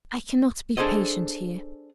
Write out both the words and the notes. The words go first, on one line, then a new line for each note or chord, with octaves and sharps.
I cannot be patient here.
D4 G#4 A4 C5 D#5